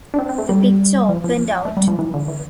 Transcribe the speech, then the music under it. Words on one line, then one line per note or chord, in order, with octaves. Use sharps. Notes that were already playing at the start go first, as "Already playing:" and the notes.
The picture opened out.
D4
C4
C4
A3
G3
F3
F3
A3
G3
F3
E3
D3
E3